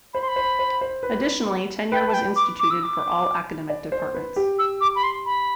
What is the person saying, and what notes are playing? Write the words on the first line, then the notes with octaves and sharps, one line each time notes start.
Additionally, tenure was instituted for all academic departments.
C5 B5
C6
B5
C5
C5
C5
B4
B4 G5
A5
G5
D6
D6
E6
D6
D5
C5
B4
G4
E6
D6
B5
C6
B5